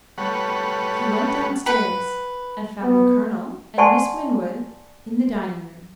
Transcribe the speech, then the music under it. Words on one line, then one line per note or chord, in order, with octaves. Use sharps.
He went downstairs, and found the Colonel and Miss Winwood in the dining-room.
G3 A3 B4 C#5 F#5
B4 F#5 B5
B3
D5 F#5 G#5 A5 C6 C#6